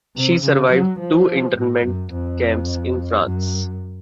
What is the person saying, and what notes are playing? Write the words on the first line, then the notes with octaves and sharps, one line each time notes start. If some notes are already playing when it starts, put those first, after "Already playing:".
She survived two internment camps in France.
C3
C#3
F#3
F3
A2
F#2
F2
F#2